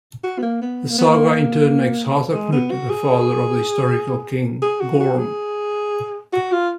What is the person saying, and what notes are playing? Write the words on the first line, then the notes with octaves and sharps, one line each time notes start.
The saga in turn makes Harthacnut the father of the historical king, Gorm.
F#4
B3
A#3
B3
A#3
B3
A#3
G#3
B3
F#4
G#4
G#4
F#4
F#4
G#4
F#4
F4